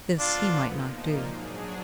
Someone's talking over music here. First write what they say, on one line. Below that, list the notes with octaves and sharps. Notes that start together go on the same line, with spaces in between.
This he might not do.
D3 F3 B3 D4 F4
A#2 F3 A#3 D#4
G#2 F#3 D4 G#4